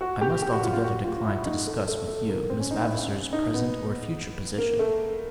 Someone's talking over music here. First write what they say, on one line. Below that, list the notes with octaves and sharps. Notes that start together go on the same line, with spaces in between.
"I must altogether decline to discuss with you Miss Vavasor's present or future position."
F#4
G4
G4
F#4
F4
F4
F#4
F4
F4
E4
D#4
A3
A3
A3
A#3
C4
C#4
D#4
E4
D#4
B3
A#3
A3